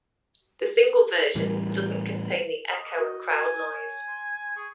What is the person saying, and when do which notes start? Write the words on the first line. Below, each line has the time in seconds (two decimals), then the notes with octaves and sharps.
The single version doesn't contain the echo and crowd noise.
1.35 A2 E3 G3
2.70 D#5 F6
2.99 F#4 D#5
3.31 G#5
3.68 C#5 G#5
4.07 C6
4.56 G#4 C#6